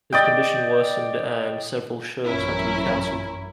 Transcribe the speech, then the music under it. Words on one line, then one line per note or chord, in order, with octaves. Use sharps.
His condition worsened and several shows had to be canceled.
D5 D#5 G5
A1 F#2 C#4 E4 A#4